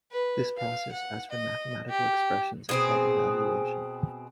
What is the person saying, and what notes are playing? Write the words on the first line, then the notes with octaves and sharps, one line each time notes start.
This process, as for mathematical expressions, is called evaluation.
B4
F5
F#5
D#5
G4
B2 C4 G#4